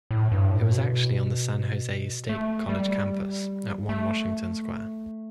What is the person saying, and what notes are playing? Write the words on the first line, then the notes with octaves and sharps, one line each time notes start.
It was actually on the San Jose State College campus at One Washington Square.
A2
G2
A2
B2
A3
G3
A3